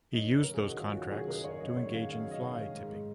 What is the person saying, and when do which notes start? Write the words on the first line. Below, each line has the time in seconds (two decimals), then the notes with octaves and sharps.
He used those contracts to engage in fly tipping.
0.13 F#2 D#4
0.30 F#2
0.42 D#3 A#4
0.54 G#4
0.62 D#3 F#4
0.79 F#2 F4
0.95 F#2 F#4
1.11 D#3 G#4
1.28 D#3 A#4
1.44 F#2 C#5
1.60 F#2 D#5
1.77 D#3 C#5
1.93 D#3 F5
2.09 F#2 F5
2.26 F#2
2.31 D#5
2.42 D#3
2.53 F5
2.58 D#3
2.75 G#2